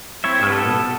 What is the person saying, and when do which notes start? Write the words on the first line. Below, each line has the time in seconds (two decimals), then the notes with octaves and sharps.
I don't know.
0.24 C4 E4 C#5 E5
0.50 B3 A4